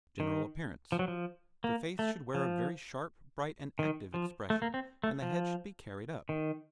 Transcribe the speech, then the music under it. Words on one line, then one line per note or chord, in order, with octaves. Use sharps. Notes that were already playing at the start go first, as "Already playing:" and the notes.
GENERAL APPEARANCE--The face should wear a very sharp, bright and active expression, and the head should be carried up.
D#3
F3
F#3
F3
A#3
A3
F3
D#3
F3
A3
A#3
C4
A3
F3
D#3